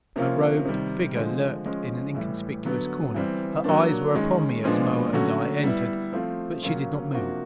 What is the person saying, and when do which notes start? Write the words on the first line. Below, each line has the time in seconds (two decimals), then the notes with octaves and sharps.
Her robed figure lurked in an inconspicuous corner; her eyes were upon me as Moa and I entered, but she did not move.
0.16 C3 F3 A#3 C#4 F4
0.65 C3 D#3 G3
1.15 D3 F3 G#3
1.65 F3 G#3 C#4
2.15 A2 E3 G3
2.65 D3 F#3 B3
3.14 E3 G3 C4
3.64 F#3 A#3 D4
4.14 D#3 G#3 C#4
4.64 A#2 F3 G#3 B3 D4
5.13 D3 F#3 A3 C#4 F#4
5.63 G3 B3 E4
6.13 F3 A3 C4 F4
6.62 C#3 F#3 A#3 C#4 F4
7.12 C3 F3 A#3 D4 F#4